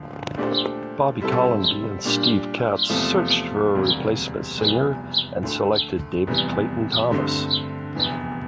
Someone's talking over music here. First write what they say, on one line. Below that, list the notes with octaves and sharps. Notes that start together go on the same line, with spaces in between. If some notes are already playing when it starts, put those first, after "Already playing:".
Bobby Colomby and Steve Katz searched for a replacement singer and selected David Clayton-Thomas.
Already playing: D2 D3 F3 A#3
A#2 A3 D4 G4 C5
C3 G3 C4 E4 A4
A#2 G3 D4
E2 C3 F3 A3 C4
E1 D2 C3 G3 A#3
F1 E2 E3 G3
D2 D3 A3
F1 E2 C3 E3 G3
G2 D3 A3 C4
F1 E2 E3